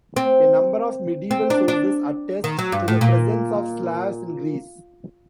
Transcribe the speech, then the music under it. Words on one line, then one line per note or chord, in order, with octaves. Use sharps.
A number of medieval sources attest to the presence of Slavs in Greece.
C4
C4
D4
D4
D#3
F#3
G2
A2
A#2